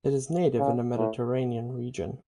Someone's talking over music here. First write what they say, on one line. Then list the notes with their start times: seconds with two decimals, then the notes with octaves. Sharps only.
It is native in the Mediterranean region.
0.59 C#3
0.96 A2